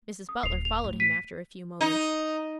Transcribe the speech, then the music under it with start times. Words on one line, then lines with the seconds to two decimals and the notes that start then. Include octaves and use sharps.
Mrs. Butler followed him after a few moments.
0.29 D#6
0.43 D1 C7 F7
0.65 F7
0.84 A2
1.00 B6 D#7
1.81 D#4